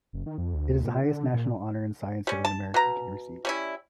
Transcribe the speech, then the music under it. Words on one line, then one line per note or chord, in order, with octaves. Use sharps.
It is the highest national honor in science that an American can receive.
F#1
D#3
F2
D2
A#2
D3
A#2
G3 C#4
A5
B2 A#5
G3 C#4 E4